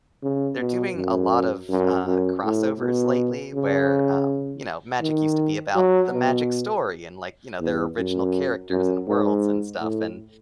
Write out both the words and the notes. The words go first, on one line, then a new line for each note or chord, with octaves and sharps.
they're doing a lot of, uh, crossovers lately, where, um, you know, Magic used to be about the Magic story and like, you know, their original characters and worlds and stuff, and,
C#3
B2
F#2
F#2
F#2
A2
B2
C#3
D#3
F#3
B2
E2
F#2
F#2
G#2
A2